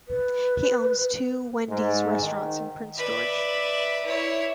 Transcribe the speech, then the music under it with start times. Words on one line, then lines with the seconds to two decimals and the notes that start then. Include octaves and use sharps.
He owns two Wendy's Restaurants in Prince George.
0.08 B4
1.69 G#2
2.21 D#3
2.97 B4 D5 E5 B5
4.05 E4 C#5